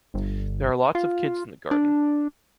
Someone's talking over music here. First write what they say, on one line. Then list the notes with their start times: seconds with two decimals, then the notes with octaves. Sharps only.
There are lots of kids in the garden.
0.14 G1
0.95 F4
1.71 D4